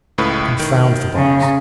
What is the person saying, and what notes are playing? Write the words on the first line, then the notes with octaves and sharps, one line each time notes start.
Confound the box!
C#2 A2 B4
D#3
C#3